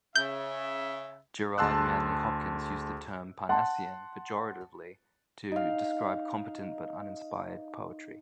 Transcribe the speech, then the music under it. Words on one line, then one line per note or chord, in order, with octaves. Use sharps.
Gerard Manley Hopkins used the term "Parnassian" pejoratively to describe competent but uninspired poetry.
C#3 E5 G6
D2 G#4 A5 C6 E6 F#6
F#5 A5 C6
D#4 F5